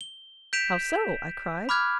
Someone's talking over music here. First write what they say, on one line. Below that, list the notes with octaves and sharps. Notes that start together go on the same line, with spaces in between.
"How so?" I cried.
G7
G6 B6 D7 E7 F7
B5 D6 F6 F#6 G#6